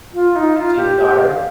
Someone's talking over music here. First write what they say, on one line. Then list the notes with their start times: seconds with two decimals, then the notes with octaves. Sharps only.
you can see his daughter.
0.14 F4
0.36 D#4
0.56 F4
0.77 G4
0.98 G4
1.19 F5